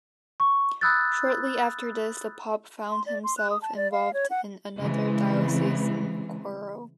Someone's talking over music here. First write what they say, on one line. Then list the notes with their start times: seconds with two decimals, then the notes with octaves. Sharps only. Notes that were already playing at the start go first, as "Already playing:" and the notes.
Shortly after this, the pope found himself involved in another diocesan quarrel.
0.40 C#6
0.81 B5 D#6 E6 F#6 G6 A6
2.90 C6
3.06 D5
3.24 C6
3.38 F#6
3.50 D#6
3.62 A5
3.76 D5
3.92 F5
4.14 C#5
4.30 F#5
4.80 C#3 E3 G#3 C4